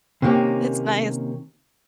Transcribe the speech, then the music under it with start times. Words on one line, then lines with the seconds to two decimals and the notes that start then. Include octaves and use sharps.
it's nice.
0.22 C3 D#3 A#3 C#4 G4